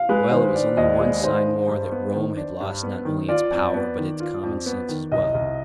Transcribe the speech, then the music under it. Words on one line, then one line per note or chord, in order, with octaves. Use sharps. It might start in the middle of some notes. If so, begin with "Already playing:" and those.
Well, it was only one sign more that Rome had lost not only its power, but its common sense as well.
Already playing: F5
G#3 B4
D#3 C5
D4 D5
D#2 D#5
G#3 D5
D#3 C5
D4
G2
B3
D#3
D4
G2
B3
D#3
F4 D5
F2
B3
D#3
F4
F2
B3
D#3
C2 D#5
C2